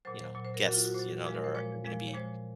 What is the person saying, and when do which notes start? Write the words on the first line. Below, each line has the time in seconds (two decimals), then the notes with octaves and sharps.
you know, guests, you know, that are are gonna be
0.05 A#2 F#3 C5
0.21 C5
0.34 A#2 F#3
0.45 C5
0.54 A#4
0.65 F#3 F#4
0.68 A#2
0.74 F4
0.85 F#4
0.94 A#2 F#3 C5
1.25 A#2 F3 G#3
1.35 A#4
1.44 C5
1.54 A#2 F3 G#3 C#5
1.84 A#2 F3 G#3
2.07 C#5
2.14 A#2 F3 G#3 C5